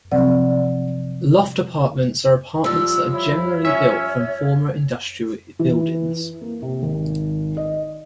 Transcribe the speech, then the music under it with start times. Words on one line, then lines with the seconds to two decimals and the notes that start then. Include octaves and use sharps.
Loft apartments are apartments that are generally built from former industrial buildings.
0.12 C3 F3 F#3 C4 D5 F#5
2.64 F3 G3 E6
3.12 E4 C#5
3.65 C#4 E5
5.59 E3
6.41 A#3
6.62 C3
6.83 G#1
7.57 D#5